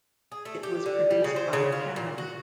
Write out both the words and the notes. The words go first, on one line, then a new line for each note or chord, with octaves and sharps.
It was produced by Canham.
G#4
A3
G4
D3
G3
C#3
C5
C#3
F4
A#2
F#4